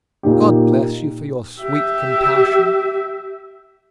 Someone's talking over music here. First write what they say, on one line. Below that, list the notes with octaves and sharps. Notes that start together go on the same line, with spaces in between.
"God bless you for your sweet compassion!"
A#2 D#4 G4
G4 E5